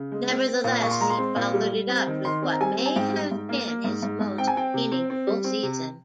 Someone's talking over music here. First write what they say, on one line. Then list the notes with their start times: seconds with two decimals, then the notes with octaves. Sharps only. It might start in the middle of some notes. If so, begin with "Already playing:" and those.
Nevertheless, he followed it up with what may have been his most meaningful season.
Already playing: C#3
0.12 G#3
0.30 C4
0.48 C4
0.64 A#2
0.83 A#2 C#6
0.91 C6
1.00 G#3 A#5
1.10 C6
1.18 C4
1.36 A#2
1.54 G3
1.72 G3
1.89 C4
2.07 D#3
2.25 D#3 C6
2.42 C4
2.52 A#5
2.61 G3 G#5
2.78 C4
2.86 G#5
2.96 G#2 G5
3.14 G3
3.31 G#2
3.49 A#3
3.68 A#3
3.84 G#2
4.03 G#2
4.20 G#2
4.38 C4 G5
4.48 G#5
4.56 C4 G5
4.74 C3
4.92 C4
5.10 C4
5.27 G3
5.44 C4
5.63 C3